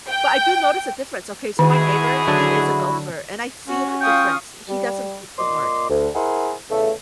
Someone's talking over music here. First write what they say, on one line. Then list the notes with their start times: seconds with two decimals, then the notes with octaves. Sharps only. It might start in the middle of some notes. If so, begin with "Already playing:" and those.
But I do notice a difference, okay, so my neighbor, he is a golfer, and I see the difference. He doesn't do teamwork.
0.10 G5
1.59 G#2 B2 D#3 E4 F#4 G#4
2.27 D3 F#3 D4
3.68 C#4 F#4
4.01 F4 F5 G5 C#6 D#6 F6
4.68 G3
5.38 A#2 D#5 C6 D6
5.89 D2
6.14 E4 G#4 A#4 C5 F#5
6.70 E2 C#3 A3